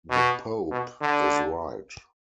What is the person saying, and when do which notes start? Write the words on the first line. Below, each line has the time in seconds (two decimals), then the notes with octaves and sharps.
The Pope is right.
0.11 B2
0.71 B2
1.02 D3